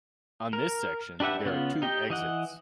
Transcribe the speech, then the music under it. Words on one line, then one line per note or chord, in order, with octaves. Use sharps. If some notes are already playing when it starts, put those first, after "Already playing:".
On this section there are two exits.
A#4
D4 G4 B4 E5 F#5
C#3 B3 F4
D#4 G4 D#5 G5
E3 D#5 F#5